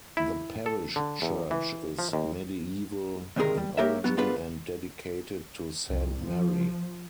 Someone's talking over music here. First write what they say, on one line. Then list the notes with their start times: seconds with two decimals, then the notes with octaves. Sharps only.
The parish church is medieval in origin and dedicated to Saint Mary.
0.17 E4
0.66 A4
0.96 D3
1.22 E2
1.51 E3
1.99 F3
2.13 D#2
3.36 D2 G#2 C3 D#3 G#4 A#4
3.57 G3
3.77 A#3 G4 A#4 C#5 E5
4.04 F#3 B3 F#4
4.17 B3 D4 F4 G#4 B4
5.88 C2
6.24 F3